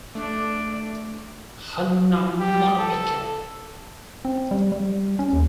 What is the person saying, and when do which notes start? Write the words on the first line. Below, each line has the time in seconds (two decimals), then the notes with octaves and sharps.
Hen na Mono Mikke!
0.15 A3 D4 D5
2.39 G4
2.79 A4
4.25 C4
4.51 G3
4.72 G3
5.19 C#4
5.33 D#2